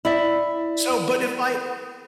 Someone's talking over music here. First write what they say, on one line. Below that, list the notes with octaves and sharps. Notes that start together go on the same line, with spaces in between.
So, but if I
E4 D5 E5